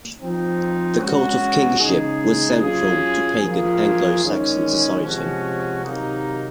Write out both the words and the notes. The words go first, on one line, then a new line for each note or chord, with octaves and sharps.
The cult of kingship was central to pagan Anglo-Saxon society.
F3 C4 D#4
G#3 C#4 F#4
C#3 G#3 D#4 G#4
F#3 C#4 F4 G#4
F3 A#3 F4 G#4
D#3 G#3 C#4
C3 F3 G#3 C#4 F#4
C3 D#3 F#3 A#3 D#4